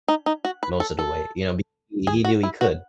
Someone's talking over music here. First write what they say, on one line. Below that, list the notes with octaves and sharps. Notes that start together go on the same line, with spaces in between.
most of the way, you know, he knew he could,
D#4
D#4
F#4
B4
A4
A4
G#4
F#4
E4
F#4